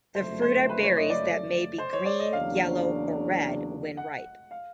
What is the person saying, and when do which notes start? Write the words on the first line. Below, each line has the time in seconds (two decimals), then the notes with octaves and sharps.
The fruit are berries that may be green, yellow or red when ripe.
0.14 F#1 F2 D3 F#3 A3 C5
0.42 C5
0.69 B4
0.83 C#5
0.97 D#5
1.10 D5
1.78 C5
1.93 C#5
2.05 D5
2.19 D#5
2.33 E2 C#3 F#3 A#3 D4 F5
3.97 F#5
4.51 F5